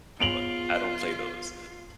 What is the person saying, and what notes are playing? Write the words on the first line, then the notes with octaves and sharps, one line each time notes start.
but I don't play those,
B3 F4 G#4 C#5 D7 F7 F#7